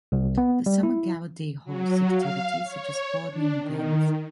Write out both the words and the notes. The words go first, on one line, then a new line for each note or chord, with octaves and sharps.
The summer Gala Day hosts activities such as sporting events.
C2
B3
G3
E4
F#3
F5
C#5
D4
D#3